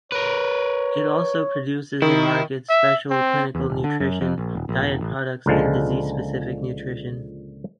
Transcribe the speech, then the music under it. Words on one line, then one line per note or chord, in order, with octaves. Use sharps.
It also produces and markets special clinical nutrition, diet products and disease-specific nutrition.
A#4 B4 C#5
D#3 D#4 E4
E5
C4
E2
D#1
D3
F#2
F2
A#1
D#1
A#1
E1
A1
C#2 A#2 D3 F3 G#3